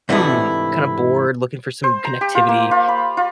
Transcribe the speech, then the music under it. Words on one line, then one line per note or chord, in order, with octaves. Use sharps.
"Hmm." Kinda bored, looking for some connectivity,
G#2 C3 E3 A3 D4 E4
C5
A#5
G4
F4
A#3
F4
B5
F4